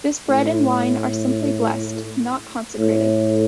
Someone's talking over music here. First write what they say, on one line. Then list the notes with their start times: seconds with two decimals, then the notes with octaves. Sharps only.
This bread and wine are simply blessed, not consecrated.
0.29 A2
2.79 A2